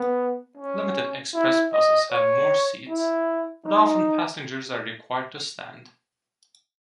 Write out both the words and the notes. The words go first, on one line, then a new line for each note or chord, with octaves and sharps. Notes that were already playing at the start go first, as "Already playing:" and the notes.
Limited express buses have more seats, but often passengers are required to stand.
Already playing: B3
C#4
E4
D#5
C#5
E4
D#4